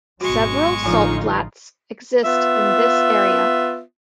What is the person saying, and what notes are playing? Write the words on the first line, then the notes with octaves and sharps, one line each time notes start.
Several salt flats exist in this area.
G#1 B2 F#3 G#3 F#4 C#6
A1 D3 F3 D#4 F4 G#5
B3 F4 E5